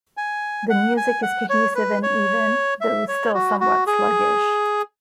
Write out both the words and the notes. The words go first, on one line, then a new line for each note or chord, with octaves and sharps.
The music is cohesive and even, though still somewhat sluggish.
G#5
F#5
G#5
F#5
C#5
B4
C#5
E5
C#5
F#4
F#4
G#4